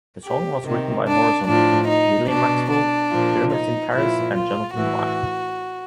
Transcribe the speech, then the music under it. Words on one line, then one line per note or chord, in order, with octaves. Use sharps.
The song was written by Morrison, William Maxwell, Pyramids in Paris, and Jonathan White.
G4
C3 D#3
D4
A2 F3 D4
D#4
B2 D4
D4
A#2 F3
D#4
A#2 F3 E4
F4
A2 E3 F#4